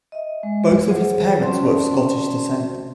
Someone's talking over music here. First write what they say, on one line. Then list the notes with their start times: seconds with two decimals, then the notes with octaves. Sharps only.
Both of his parents were of Scottish descent.
0.12 D#5 E5
0.43 G#3
0.86 G#4 C5 C#5 F#5
1.43 C#4 F#4 C5 D5 A5 C6